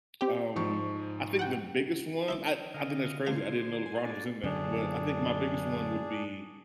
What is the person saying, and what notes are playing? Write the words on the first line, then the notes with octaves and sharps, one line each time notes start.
Um, I think the biggest one I I think that's crazy, I didn't know LeBron was in that, but I think my biggest one would be
C4 G4
G#2 F3 C#6
F#5 G5
E4 C6 D6
D3 D#5 F5
C#2 G#4 C5 F5
G#5
G#3 D4 A4
F#2 D3 D4 G#4